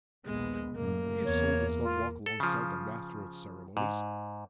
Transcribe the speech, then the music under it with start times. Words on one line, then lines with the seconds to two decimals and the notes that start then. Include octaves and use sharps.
His soul does not walk alongside the master of ceremonies.
0.25 A#1 D#2 G#3 B3
0.76 F#2 A2 C#3 A#3
1.25 E2 C#5
1.83 F4
2.26 A4
2.40 C#3 F3
3.77 G#2